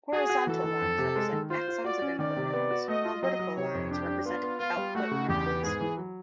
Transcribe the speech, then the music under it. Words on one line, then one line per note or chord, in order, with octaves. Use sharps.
Horizontal lines represent axons of input neurons while vertical lines represent output neurons.
F#4 G#4
F#4
E3 A4
E3
F2
C3
G#3
D#3
F4 C5
F4
F#4 D5
C#4
D#3 D5
C3
B3
F#4
A3 D#5
F4
F#3 D#5
F#3
C3 C#5
F2
D4 G4
D4
B3 F4
B3
B3 F4
G3
A3 F#4
C#3
E2 G4
B3
G#2 G#4
E3
F#3